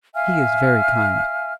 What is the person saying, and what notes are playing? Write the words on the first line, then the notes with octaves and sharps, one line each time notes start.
"He is very kind."
E5 F5 G#5 F6